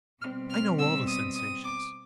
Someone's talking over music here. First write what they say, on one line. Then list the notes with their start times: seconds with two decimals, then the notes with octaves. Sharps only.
I know all the sensations.
0.21 B2 G3 C4 F6
0.49 F6
0.78 E6
1.07 D#6
1.35 D#6
1.64 D6